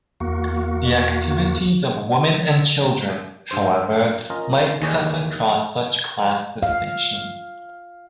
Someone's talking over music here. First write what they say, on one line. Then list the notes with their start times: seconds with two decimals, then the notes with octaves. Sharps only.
The activities of women and children, however, might cut across such class distinctions.
0.20 E2 A#3 F#4
3.51 G2 C5
4.30 C#4 F4 A#4 D#5
4.81 D#2 D#3 E3 G#4 C#5 D5
6.63 F5